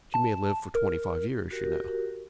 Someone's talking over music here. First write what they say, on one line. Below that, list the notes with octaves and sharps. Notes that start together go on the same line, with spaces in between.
"But you may live for twenty-five years, you know."
A5
A#4
F#4 G4 A#4